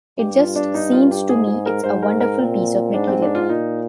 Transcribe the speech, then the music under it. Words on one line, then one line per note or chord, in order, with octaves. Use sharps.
It just seems to me it's a wonderful piece of material.
G2 G4
F4
D4
D#4
F4
G4
G#2 G#4
G#4
A#4
G#2 C5
A#4
A#4
A#2 C4
G#2 D4
C4
D4
F4
A#2 D#4